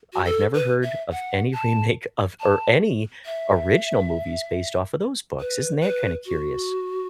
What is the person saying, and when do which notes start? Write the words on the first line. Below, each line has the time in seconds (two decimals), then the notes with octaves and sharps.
I've never heard of any remake of or any original movies based off of those books, isn't that kinda curious?
0.13 F#4
0.25 A4
0.54 B4
0.83 E5
1.11 F#5
1.54 A5
2.40 A5
3.26 E5
5.40 B4
5.83 B4
6.26 F#4